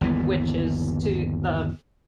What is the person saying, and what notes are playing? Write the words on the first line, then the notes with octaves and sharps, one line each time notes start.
witches to the
G1 D#2 E3 B3